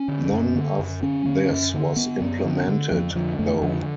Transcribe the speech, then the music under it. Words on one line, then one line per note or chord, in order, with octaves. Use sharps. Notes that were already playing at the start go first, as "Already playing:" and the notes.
None of this was implemented, though.
Already playing: C#4
D3
F#2
D3
F#2
D3 C#4
D3
F#2
D3
D3 B3
F#2
D3
D3
F2 F3
D3 F3
F2 A3
D3 F3